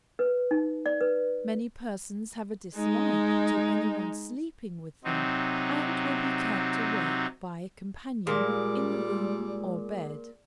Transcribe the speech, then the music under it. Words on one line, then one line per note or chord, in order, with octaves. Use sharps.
Many persons have a dislike to any one sleeping with them, and will be kept awake by a companion in the room or bed.
B4
D#4
D5
B4
G#3 D#4
C3 F#3 C4 D#4
A#2 G3 G#3 G#4 D6